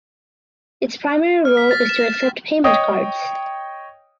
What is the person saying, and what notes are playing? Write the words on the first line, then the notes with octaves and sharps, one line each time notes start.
Its primary role is to accept payment cards.
F6
B6
A6
E7
A6
C#5 D#5 G5 D#6